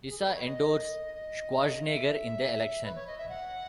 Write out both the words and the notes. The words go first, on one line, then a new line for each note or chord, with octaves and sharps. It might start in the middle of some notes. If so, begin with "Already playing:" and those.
Issa endorsed Schwarzenegger in the election.
G#4
A4
B4
C#5
D#5
D#5
E5
B4
C#5
D#5
E5
F#5